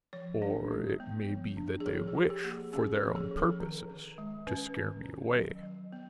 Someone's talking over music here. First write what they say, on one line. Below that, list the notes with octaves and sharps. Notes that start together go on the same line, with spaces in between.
"Or it may be that they wish, for their own purposes, to scare me away."
F3 C#5
D4
G#3
B3
F3
D4
G#4
F3 A4
G#4
F3
G4
A#3
G#4
C#4 G#4
A4
F3
G#4
F3
A4
D#3
D#3
G#3
C#4 B4
D#3
D#3
F#3
F#3
B3